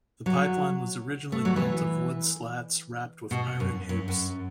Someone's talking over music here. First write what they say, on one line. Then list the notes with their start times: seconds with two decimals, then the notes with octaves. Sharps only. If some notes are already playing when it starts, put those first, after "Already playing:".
The pipeline was originally built of wood slats wrapped with iron hoops.
0.26 F#3
1.32 A3
1.45 F#3
1.56 E3
3.31 B2
3.60 F#2
3.89 F#2
4.08 F#2